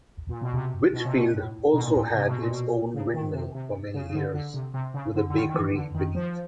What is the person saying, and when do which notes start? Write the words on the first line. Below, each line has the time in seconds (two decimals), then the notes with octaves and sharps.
Whitfield also had its own windmill for many years, with a bakery beneath.
0.29 A#2
0.41 B2
0.53 C3
0.93 B2
1.05 C3
1.16 B2
1.34 A2
1.73 B2
1.81 A#2
1.88 A2
1.95 A#2
2.14 C3
2.27 B2
2.38 A#2
2.51 B2
2.94 C#3
3.14 D#3
3.34 C3
3.55 C3
3.94 C#3
4.10 C#3
4.15 D3
4.34 D3
4.54 C3
4.74 C3
4.94 C#3
5.14 D3
5.30 D3
5.34 D#3
5.49 D#3
5.54 E3
5.75 D3
5.95 D#3
6.15 F3